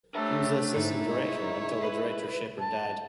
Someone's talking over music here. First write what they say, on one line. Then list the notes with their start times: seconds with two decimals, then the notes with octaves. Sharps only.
He was the assistant director until the director Shepard died.
0.15 A3 D4 G4 A#4 C#5 E5 A5
0.76 G#2 D#4 E4
1.09 G#3 C#5
1.83 B4
2.60 A5